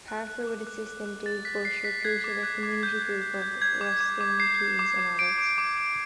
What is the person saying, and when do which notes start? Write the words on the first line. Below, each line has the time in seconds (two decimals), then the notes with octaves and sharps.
Parker with assistant Dave Bush recruited a community group of Ruskin teens and adults.
0.08 F#6
0.27 F#6
0.47 D6
0.67 F#6
0.87 F#6
1.06 F#6
1.26 F#6 A6
1.45 F#6 B6
1.65 F#6 C7
1.84 F#6 B6
2.05 F#6 G#6
2.24 D6
2.43 F#6
2.63 D6
2.83 G6
3.02 G6
3.22 G6
3.42 G6
3.61 G6 G#6
3.81 D6
4.00 D6
4.21 D6
4.39 G6 C7
4.59 G6
4.79 D6
4.99 D6
5.19 D6 D7
5.38 D6
5.58 D6
5.78 D6